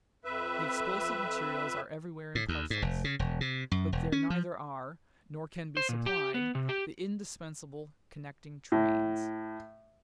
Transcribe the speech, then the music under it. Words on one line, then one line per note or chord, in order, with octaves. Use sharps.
The explosive materials are everywhere in parcels; but there neither are, nor can be supplied the indispensable connecting trains.
F2 B4 E5
A2
D#2
G#2
F1
C#3
E1
C3
F#2
E1
C#4
F3
C5
A#2
G4
B3
C3
G4
A2